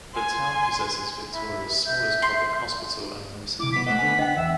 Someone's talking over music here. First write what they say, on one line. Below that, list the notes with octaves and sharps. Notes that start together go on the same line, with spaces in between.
The town possesses Victoria's smallest public hospital and nursing home.
G#5 C6
E4
E5 G6
C6
C3 E4 D6
B1 B3 B6
A3 C5 D#5 F#5
D3 B3 G#5
D4 D#5 G5
E2 D#5 E5 F#5